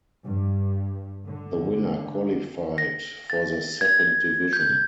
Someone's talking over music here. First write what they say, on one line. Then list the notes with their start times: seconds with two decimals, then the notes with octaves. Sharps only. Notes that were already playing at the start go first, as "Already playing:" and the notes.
The winner qualified for the second division.
0.24 G2
1.26 D3
2.78 A#6
3.30 A6
3.81 G#6
4.53 G6